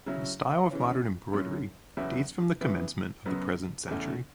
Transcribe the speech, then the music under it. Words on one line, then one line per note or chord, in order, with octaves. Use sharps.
The style of modern embroidery dates from the commencement of the present century.
C#3 F#3 C#4 E4
C#3 E3 C#4
F#2 C#3 F#3 C#4
E2 C#3 F#3 B3 E4
C#3 E3 B3 E4
F#2 C#3 F#3 B3
E2 C#3 A3